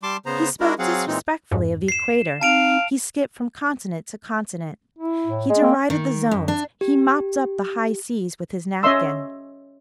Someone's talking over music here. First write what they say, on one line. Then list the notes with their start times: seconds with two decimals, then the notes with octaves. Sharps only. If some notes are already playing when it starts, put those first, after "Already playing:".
He spoke disrespectfully of the equator, he skipped from continent to continent, he derided the zones, he mopped up the high seas with his napkin.
0.03 G3 A5 C6 D6
0.26 C#3 B3 C5 A#5
0.60 G#3 D4 E4 F#4 A#4
0.79 F#3 C4 G#4 F5 F#5
1.07 A#2 E3 G#3 C4 D#4
1.51 F2 G#2
1.88 C7 E7
2.41 C4 D#4 F5 A5 D7 F7
4.99 E4
5.26 A2
5.49 G#3
5.61 A#3 C4
5.90 D#3
6.31 F#2
6.48 D4
6.81 G4
8.83 C#4 C#5 D#5 E5 C6 E6